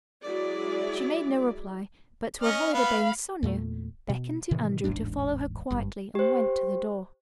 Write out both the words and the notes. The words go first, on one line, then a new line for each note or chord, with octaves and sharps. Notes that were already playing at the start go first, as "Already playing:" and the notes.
She made no reply, but to avoid obeying Sonya beckoned to Andrew to follow her quietly and went to the door.
F#3 G#3 E4 G#4 D5
C#4 D#5 F6
B3 F5 B5
E2 A#2 A3
B2
A2 C3 D#3 E3
E1 A1 G#2 D4
G#1 G2
G4 C5